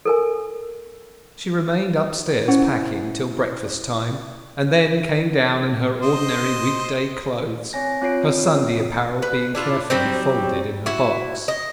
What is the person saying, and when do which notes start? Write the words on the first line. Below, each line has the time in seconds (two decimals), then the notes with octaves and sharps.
She remained upstairs packing till breakfast-time, and then came down in her ordinary week-day clothes, her Sunday apparel being carefully folded in her box.
0.05 A4 A#4 G#5
2.48 C#4 E4 C5 F#5
6.02 C5 D#5 C6
7.73 C4 C#5 G#5 A#6
8.02 C4 F4 C#5 C7 D7
9.22 B4
9.55 D4 E4 F4
9.90 F#3 G3 C4
10.86 E4 F#4
11.48 D#5